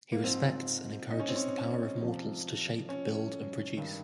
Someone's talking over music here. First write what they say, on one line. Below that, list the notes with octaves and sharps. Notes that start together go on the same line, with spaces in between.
He respects and encourages the power of mortals to shape, build, and produce.
A#3
G#2 F3 C4
D#4
C#4
C4
C#4
F2 C3 F3
C#4
G2 D#3